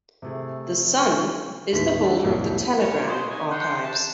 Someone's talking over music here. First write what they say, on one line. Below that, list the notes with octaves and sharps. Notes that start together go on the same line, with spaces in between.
The "Sun" is the holder of the "Telegram" archives.
C3 A3 G#4
D#2 A2 D#3 B3 B6
D4 G4 A4 D#5
C2 F2 A2 E3 A#3
C#4
B4 C5 D#5
D#4 G#5
F#5 G5 C6
A5